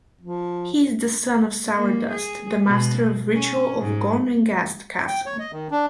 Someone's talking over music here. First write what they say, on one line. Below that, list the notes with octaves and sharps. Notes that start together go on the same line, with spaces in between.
He is the son of Sourdust, the Master of Ritual of Gormenghast castle.
F3
A#3
G#4
B2
C#4
G#2
G5
C#5
D#5
D#3
D4